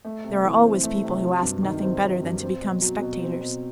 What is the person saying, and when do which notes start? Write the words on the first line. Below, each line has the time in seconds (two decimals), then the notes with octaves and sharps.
There are always people who ask nothing better than to become spectators.
0.05 A3
0.24 C3
0.45 E3
0.64 C4
0.83 A3
1.03 C3
1.23 F#3
1.43 G2
1.63 D#3
1.82 C4
2.03 F#3
2.23 G2
2.42 C4
2.62 B2
2.82 F#3
3.02 B2
3.22 C4
3.41 B2